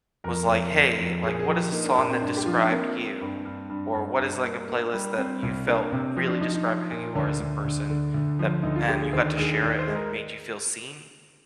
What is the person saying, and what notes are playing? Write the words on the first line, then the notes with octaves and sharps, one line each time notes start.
was like, "hey, like what is a song that described you, or what is like a playlist that you felt really described who you are as a person," that and you got to share it and it made you feel seen?
F2 A#4
F2
F2
F2
A#2 G#4
G#4
F3
G4
A#3 D#4
D4
A#2 D4
C4
G2 D4
G4
F3 F4
D#4
D4
A#3 C4
A#3
G2
G2
G2
G2
G2 D4
A#3
A#3
G3
G3 C4
C2
A#3 D4
C3 C4
F3 C4
D4
F3 D#4
D#4
F3
A#2
D2 D4
D2
D2
D3
D2
F3
D2 D#4
F4
D3 G4
G#4
D#2 C5
D5
D#2 G#4
G#4
D#2 D5
C5
G#3
A#4